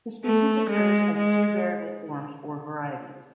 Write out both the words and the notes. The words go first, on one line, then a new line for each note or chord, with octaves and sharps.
The species occurs as two variable forms or varieties.
A3
G#3
G#3